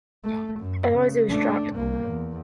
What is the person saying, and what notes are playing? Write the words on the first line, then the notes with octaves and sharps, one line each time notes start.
Otherwise, it was dropped.
A3
F#2
C#3
A3 D4
C2 A#3
E2